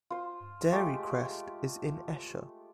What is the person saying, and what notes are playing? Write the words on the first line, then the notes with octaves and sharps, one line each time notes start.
Dairy Crest is in Esher.
F4 C5
G#3 A3 F4 G4